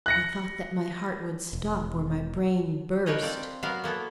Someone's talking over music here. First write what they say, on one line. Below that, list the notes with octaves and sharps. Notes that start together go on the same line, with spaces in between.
I thought that my heart would stop or my brain burst.
F#6 A#6 C#7
E1
D4 D#4 A#4 B4 C#5 D#5
C4 F4 D5
F#3 B3 F#4 A#4 F5
A#3 B3 E4 A4